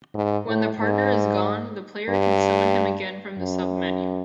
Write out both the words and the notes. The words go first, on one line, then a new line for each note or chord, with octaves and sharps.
When the partner is gone, the player can summon him again from the sub-menu.
G#2
A2
G#2
G2
F#2